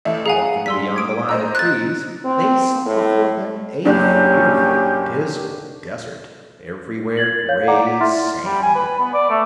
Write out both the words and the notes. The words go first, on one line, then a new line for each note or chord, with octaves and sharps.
Walking beyond the line of trees they saw before them a fearful, dismal desert, everywhere gray sand.
A1 A3 E5
G#4 F5 F#5 G#5 A#5
G3 C6 E6 B6
D6 D#6 G#6 D7
C5 D#5 A#5 E6
F#6 A6
C4
A2
F#1 F#3 C#4 D4 G4
G#6 A6 F#7
C#5 F5 G6
D5 F#5 A#5 D6
B6
E4 E5 F#5 C6 F6 A6
G3
G#5
B4
B3
D5
A3